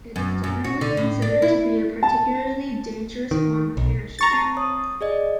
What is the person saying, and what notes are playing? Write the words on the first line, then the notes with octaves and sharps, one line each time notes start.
It is generally considered to be a particularly dangerous form of parachuting.
F#2
F#2
F#4
D3
A2
D4
E4
A5
D#3
B1
A#5 C#6 A6
C4 A5 C7
C#5 D#6
G#4 D5 D#5